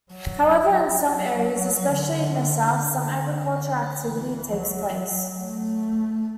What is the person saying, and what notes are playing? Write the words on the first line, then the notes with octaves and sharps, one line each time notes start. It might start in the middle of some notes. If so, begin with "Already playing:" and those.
However in some areas, especially in the south, some agricultural activity takes place.
F#3
F#3
D3
D3
E3
F#3
A3